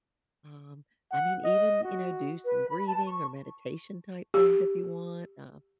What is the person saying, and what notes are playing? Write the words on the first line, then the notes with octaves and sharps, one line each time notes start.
um, I mean, even, you know, do some breathing or meditation type things if you want, um,
F#5
D#5
F#4
B4
B5
A5
C#6
G4